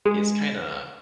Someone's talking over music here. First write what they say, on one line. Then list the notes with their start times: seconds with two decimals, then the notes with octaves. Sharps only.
it's kinda
0.05 G#3